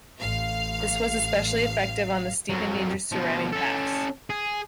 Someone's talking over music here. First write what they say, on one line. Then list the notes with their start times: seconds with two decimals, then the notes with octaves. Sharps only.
This was especially effective on the steep and dangerous Surami Pass.
0.20 A1 F5
2.50 F2 F#3
3.12 B2 F3
3.53 C#4 A4
4.30 G#4